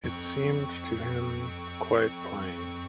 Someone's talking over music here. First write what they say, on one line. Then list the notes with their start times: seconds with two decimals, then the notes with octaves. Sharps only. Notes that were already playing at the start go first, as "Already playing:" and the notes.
It seemed to him quite plain.
0.04 F2 C4 C#6